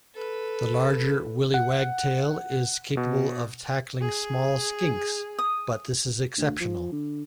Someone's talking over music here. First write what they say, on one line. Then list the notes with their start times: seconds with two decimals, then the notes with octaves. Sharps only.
The larger willie wagtail is capable of tackling small skinks, but this is exceptional.
0.14 A4 B4
1.54 F#5
2.97 B2
4.01 G#4
5.39 D#6
6.38 D2
6.60 F3
6.92 D3